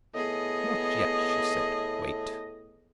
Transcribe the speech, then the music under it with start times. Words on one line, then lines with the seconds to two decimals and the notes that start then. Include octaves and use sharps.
"Not yet," she said; "wait."
0.14 A2 B3 G#4 D#5